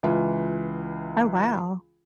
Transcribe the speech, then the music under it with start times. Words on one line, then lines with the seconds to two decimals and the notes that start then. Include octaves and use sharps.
Oh wow.
0.03 C#2 E3 F4